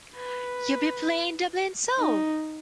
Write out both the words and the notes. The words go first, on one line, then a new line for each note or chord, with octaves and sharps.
You'll be playing Dublin Soul!
B4
D#4